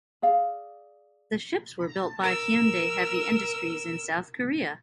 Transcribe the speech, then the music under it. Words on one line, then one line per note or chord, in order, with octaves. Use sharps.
The ships were built by Hyundai Heavy Industries in South Korea.
G#4 D5 F5
A#4 E6